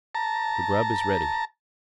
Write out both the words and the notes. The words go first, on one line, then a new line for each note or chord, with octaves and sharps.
The grub is ready.
A5 A#5